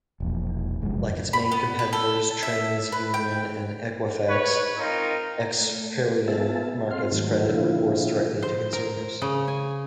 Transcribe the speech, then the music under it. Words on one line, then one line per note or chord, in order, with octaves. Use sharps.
Like its main competitors, TransUnion and Equifax, Experian markets credit reports directly to consumers.
E1 A#1
F1 F#2 G#3
B5
B3
B4
A4
E5
B4
G5
B4 C#5
C4 D#4 F4 A#4
A3
B3 F4 G#4 E5 A5
C4 F4 F5 C6
G#2 D#3 F#3 A3
A#2 D3 F3 E4 F4
C5
A#4
C#3
G#5